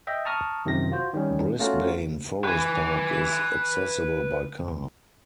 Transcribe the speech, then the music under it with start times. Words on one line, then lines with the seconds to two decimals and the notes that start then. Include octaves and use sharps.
Brisbane Forest Park is accessible by car.
0.07 D#5 E5 G5
0.25 A5 A#5 C#6 D#6 F6
0.65 F#2 C3 D#3 F3 A#6
0.92 F4 F#4 C5
1.14 D#3 G3 C#4
1.59 A3 C#4 F4 F#4 A#4
2.44 B4 G#5